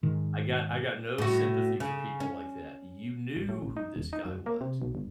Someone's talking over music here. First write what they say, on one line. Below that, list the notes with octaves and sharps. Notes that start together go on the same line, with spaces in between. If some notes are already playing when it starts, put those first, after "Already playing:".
I got I got no sympathy for people like that. You knew who this guy was.
G#2 D#3
A2 F#4
C#3
C#4
G#1
A2
A1
D#4
D#1
D#4
F#2
A#3
C3
B1
G1